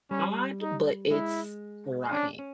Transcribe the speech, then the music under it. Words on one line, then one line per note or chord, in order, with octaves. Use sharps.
Odd, but it's rotten
G3 C#4
D#4
G#3 E4
C#4 D4
C#4